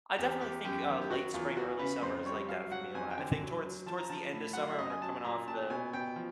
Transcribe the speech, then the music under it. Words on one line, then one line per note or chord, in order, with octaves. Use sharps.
I definitely think, uh, late spring, early summer is like that for me a lot. I think towards towards the end of summer when we're coming off the
E2 G4
E2 G4
F#2 G4
D#3
G4
F#3 F#4
E2 F4
E3 F#4
C#3 B4
F2 C5
G3 C#5
F#3 F5
F#3 F#5
F2 G#5
G5
D3 G#5
F#3
F#3
F3 A5
A#5
F3 A5
A2
F#3 F#5
F5
E5
F#2 D#5
G#5
F#3 A5
A#2 A#5
A#2 A5
B2 G#5
B2 G5
F3